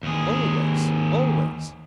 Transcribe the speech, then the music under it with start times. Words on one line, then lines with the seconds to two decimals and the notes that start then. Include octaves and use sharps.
Always. Always.
0.03 D#2 G#4